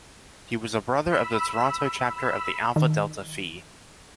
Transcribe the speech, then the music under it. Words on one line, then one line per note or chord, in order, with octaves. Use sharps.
He was a Brother of the Toronto Chapter of the Alpha Delta Phi.
B5 E6
D#3